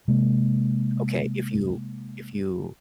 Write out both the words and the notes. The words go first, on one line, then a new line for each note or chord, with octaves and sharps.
okay, if you if you
C3 G#3 A#3